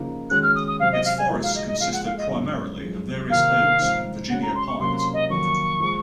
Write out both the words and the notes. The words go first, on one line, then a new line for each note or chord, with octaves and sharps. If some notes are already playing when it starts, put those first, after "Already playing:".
Its forests consist primarily of various oaks and Virginia pines.
Already playing: C#3 F3 A#3 D#4
D#3 G#3 C#4 F#4 F#6
F6
D#6
D#6
C3 F#3 C4 F5
D#5
F5
G#5
A#2 F3 G#3 D#4 F#4
F5
D#5
D#5
A#2 F3 G#3 F5
F#5
F5
D#5
G#2 F#3 C#4 F4
F#2 F3 G#3
C3 D#3 A#3 F4 F5
G#2 F3 C4 D#4
C#3 G#3 C#4 F#4 F#5
A#5
C6
C#6
C3 F#3 A#3 C#4 C6
C6
D#5
F2 D#3 F#3 A#3 C#6
A#2 F3 G#3